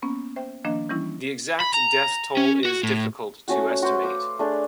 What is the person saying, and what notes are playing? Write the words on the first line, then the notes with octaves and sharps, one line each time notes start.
The exact death toll is difficult to estimate.
A#3 B3 C#4
C5 E5 G5
D#3 F3 A#3 D4 D#5
E3 G3 C#4 E4
B5
A#5
C#4
F#4
A2
A3 C#4 F#4 F#5
F#4 B4 C5 E5
F5 C#6 D6
A3 D4 G#4 D5